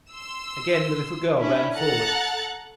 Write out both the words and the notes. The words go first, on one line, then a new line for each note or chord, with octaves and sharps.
Again the little girl ran forward.
C6 E6
C#4 D4 E4
A4 F#5 A#5 F#6 A6